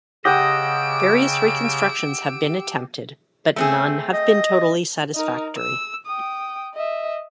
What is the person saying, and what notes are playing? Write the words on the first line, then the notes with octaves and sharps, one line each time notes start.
Various reconstructions have been attempted, but none have been totally satisfactory.
C#3 G4 D#5 F#5 D#6 E6 D7
A3 C4 G#4
D#5
D#4 A#4
E6
G5 D#6
D#5 E5